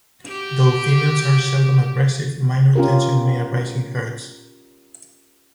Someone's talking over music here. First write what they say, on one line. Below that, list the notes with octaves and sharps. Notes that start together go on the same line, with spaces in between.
Though females are seldom aggressive, minor tension may arise in herds.
F#4 G4
C#4 F4 G4 A#4